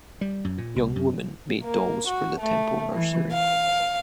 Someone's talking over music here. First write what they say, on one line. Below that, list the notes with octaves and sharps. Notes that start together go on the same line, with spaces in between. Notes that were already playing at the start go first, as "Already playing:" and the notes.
Young women made dolls for the temple nursery.
G3
F#2
A#2
C2
F#2
A#3
F#4
A3
E3
F5